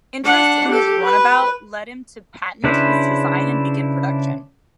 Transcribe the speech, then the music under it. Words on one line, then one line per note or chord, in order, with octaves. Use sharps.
Interest in his runabout led him to patent his design and begin production.
D4 F#5
G4 A4
B4
C#3 D4 E4 B4 C5